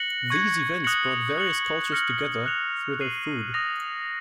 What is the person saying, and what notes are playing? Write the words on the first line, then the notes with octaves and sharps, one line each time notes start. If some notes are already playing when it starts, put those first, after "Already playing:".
These events brought various cultures together, through their food.
Already playing: F#6 A#6 C#7 F#7
C#6 G#6 C#7
D#6 F#6 A#6 C#7 F#7
F#6 C#7 F#7
F6 A#6 C#7 F#7
F#6 C#7 F7
F#6 C7 D#7 F#7
D#6 A#6 F7